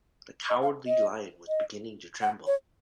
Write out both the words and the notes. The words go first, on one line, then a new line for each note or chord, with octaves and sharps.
The Cowardly Lion was beginning to tremble.
D#5
F5
D#5
D#5
F#5
C#5